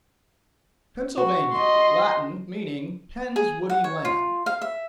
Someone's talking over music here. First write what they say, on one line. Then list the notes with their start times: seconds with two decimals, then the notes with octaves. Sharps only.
Pennsylvania--Latin; meaning Penn's woody land.
1.18 F#4
1.53 D#5 C6
3.36 G#4
3.70 F#5
3.84 C#5
4.05 F4
4.46 F5
4.62 E5